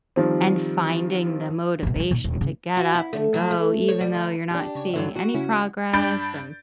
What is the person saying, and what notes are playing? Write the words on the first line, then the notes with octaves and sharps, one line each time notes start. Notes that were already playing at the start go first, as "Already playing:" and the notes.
and finding the motivation to get up and go even though you're not seeing any progress and
D#3 F3 G3 C4
A1 B2
G2 D3
A#2 D#4
D#1
C#3
F#4
E4
A3
F#3
A3
C#5
G3
D2
D4 G4
C#3 C#5
G2 D3 F#3 E5
F#4
C#3 C#4 E4
G2 D4 B5 G6 A6 D7